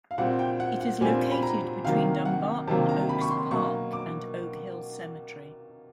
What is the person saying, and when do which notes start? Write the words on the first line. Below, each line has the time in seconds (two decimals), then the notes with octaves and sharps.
It is located between Dumbarton Oaks Park, and Oak Hill Cemetery.
0.11 F5
0.18 A#2 G3 C4 F#5
0.39 G5
0.60 F#5
0.80 F#5
1.01 A#2 G3 C4 G#5
1.32 B5
1.43 A#5
1.84 C3 D#3 F#3 A#3 F5
2.25 F#5
2.67 C3 D#3 F#3 A#3 A5
2.89 A#5
3.09 B5
3.21 C#6
3.31 C6
3.51 B2 F#3 A#3 C#6
3.93 D6